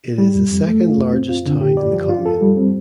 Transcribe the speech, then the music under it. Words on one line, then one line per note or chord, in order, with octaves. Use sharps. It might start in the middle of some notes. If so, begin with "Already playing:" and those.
It is the second largest town in the commune.
G3
F2
F2
A3
F4
F2
C4
F4
D3
G4
D5
F3
F4
A4
G3
C4